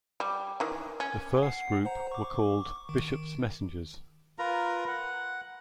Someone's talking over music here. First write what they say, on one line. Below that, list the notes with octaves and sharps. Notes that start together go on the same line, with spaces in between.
The first group were called "Bishop's Messengers".
G3
D#3 E3
C#4
F#5 C7
C5 F#5 A#5
C#6 D6
D#3
F4 A#4 B4 A#5
F#5